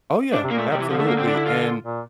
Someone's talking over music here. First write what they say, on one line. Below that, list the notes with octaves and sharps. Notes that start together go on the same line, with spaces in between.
Oh, yeah. Absolutely, and,
D4
C3
A#2 A#3
A3
C3 G3
E3
D3 F3
A3
A#3
C4
D4
E4
F4
A#2